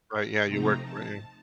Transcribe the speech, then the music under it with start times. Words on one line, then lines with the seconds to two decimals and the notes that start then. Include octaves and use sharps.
Right, yeah, you work for him.
0.44 C3 F3 A3 C4 D#4 A#5
0.80 A5